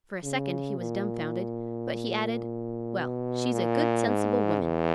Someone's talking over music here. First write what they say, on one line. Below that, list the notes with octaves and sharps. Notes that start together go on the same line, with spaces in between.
For a second he was dumbfounded; but he added, "Well, she's a good, sensible woman."
C#3
A#2
B2
A#2
G#2
E2